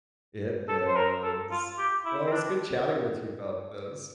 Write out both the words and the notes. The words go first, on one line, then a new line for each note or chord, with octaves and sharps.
It is. Well, it was good chatting with you about this.
A4
C5
A#4
A4
F4
G4
E4
C4
D4